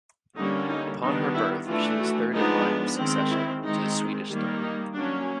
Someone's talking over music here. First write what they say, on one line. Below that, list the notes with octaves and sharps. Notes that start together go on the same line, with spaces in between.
Upon her birth, she was third in line of succession to the Swedish throne.
D3 G3 A#3 C#4 D#4
D#4
D#3 G3 B3 D4 D#4
E4
E3 A3 D4 F4
F#4
F3 G#3 B3 D4 D#4
D#3 G#3 C4
E4
D#3 G#3 C4 D#4
D#3 G3 A#3
D#4
F#3 A#3 C#4 D4